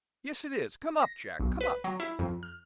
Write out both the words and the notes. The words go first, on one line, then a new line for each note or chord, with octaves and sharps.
Yes, it is. Come up, Jack; come up.'
A#6
B1
B4
F#3
E4
F2
F6